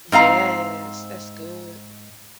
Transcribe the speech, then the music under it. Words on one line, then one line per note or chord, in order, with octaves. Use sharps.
Yes, that's good.
G#2 C4 F5 A#5